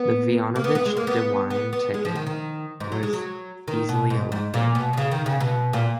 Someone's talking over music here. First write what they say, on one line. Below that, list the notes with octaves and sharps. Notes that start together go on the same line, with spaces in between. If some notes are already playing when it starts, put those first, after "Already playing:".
The Voinovich-DeWine ticket was easily elected.
Already playing: B3
A#3
B3
B3
G#3
A#3
B3
B3
B3
G#3
F3
D#3
D#3
G#2
F#3
G#3
F#3
D#3
B2
G#2
G#2
A#2
B2
B2
C#3
D#3
C#3
B2
A#2